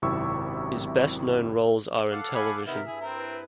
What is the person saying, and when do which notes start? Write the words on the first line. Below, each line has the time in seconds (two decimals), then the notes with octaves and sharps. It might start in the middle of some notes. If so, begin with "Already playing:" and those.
His best-known roles are in television.
0.02 G#1 F#2 C3 E4 C#6 E6
2.12 A4 F5 F#5 D6
2.35 G#5 B5
2.66 C3 D#3 B3 E4 A#4 E5
2.86 G2 E4 G#4
3.01 C4 A#4
3.16 B4